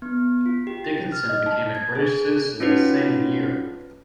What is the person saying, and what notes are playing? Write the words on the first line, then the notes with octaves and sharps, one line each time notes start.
Dickinson became a British citizen the same year.
B3
F4
G4
A6
F6
D#5
A5
G#6
G#4
C#4 D#4 F4 F#4 B4